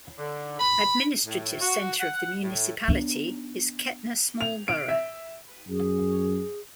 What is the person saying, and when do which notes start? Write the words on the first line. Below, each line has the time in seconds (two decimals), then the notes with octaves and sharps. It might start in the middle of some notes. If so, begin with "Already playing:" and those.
Administrative centre of the municipality is Kehtna small borough.
0.18 D3
0.59 B5
1.25 A2
1.60 F#4
2.00 F#5
2.43 A2
2.88 B3 D4
4.41 F7
4.68 D7
4.88 E5
5.69 F#2 G#4